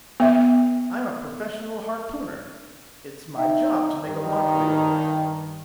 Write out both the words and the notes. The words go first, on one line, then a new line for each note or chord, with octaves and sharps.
"I'm a professional harpooner! It's my job to make a mockery of them!"
B3 E5
D#4 E5 G5
G2 D#3